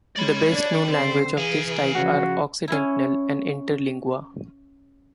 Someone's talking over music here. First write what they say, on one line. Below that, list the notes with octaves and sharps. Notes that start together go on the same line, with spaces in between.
The best known languages of this type are Occidental and Interlingua.
G#3 C#5 D5 B5
D4
D3 C4 C5
E3 G#4 F5 G#5
C#3 F3 F#4
C#4 E4